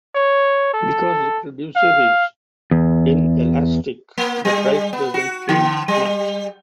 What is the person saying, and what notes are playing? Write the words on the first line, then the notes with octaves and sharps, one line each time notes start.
Because the producer is inelastic, the price doesn't change much.
C#5
A4
F5
E2
A#3
G3
B3
F#4
D3
G3